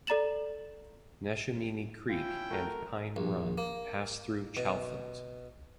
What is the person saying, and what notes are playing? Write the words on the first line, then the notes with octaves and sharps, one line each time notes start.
Neshaminy Creek and Pine Run pass through Chalfont.
A4 D5 A#5 A6 E7 F#7
C#4 E4 F4 G5
A3 F#4 A#4
A#1
A#3
B2